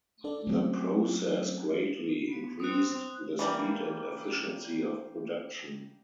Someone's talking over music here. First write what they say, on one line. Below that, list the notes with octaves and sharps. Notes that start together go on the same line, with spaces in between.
The process greatly increased the speed and efficiency of production.
D4 A4 D5
D3 F#3 G3 A3 C4 C#4
B3
C4 D#6 F#6
E3 G3 A#3